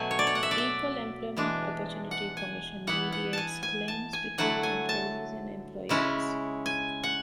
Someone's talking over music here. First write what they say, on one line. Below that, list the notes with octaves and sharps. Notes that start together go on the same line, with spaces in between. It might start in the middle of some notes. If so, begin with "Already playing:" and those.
Equal Employment Opportunity Commission mediates claims between employees and employers.
Already playing: B2 F#3 A3 G#5
C#5
D5
C#5
F#5
E5
D5
E5
E3 G#3 D4
F#5
G#5
E3 B3 E4 F#5
F#5
G#5 A5
G#5
A5
G#5
D3 F#3 A3 E4 F#5
G#5
A5
C#3 G#3 C#4 E4
G#5
F#5